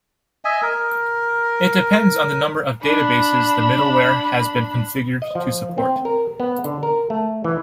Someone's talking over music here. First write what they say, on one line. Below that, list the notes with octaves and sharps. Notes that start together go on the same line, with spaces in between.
It depends on the number of databases the middleware has been configured to support.
D#5 E5 G#5
A#4
D4 B5
D#5
F3
C4
A#4
B3
D3
A#4
A3
E3